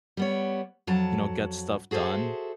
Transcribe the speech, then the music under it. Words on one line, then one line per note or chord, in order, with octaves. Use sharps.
you know, get stuff done
G3 B3 C#5
F2 F#3 A5
F#4 G#4 A4 C5 E5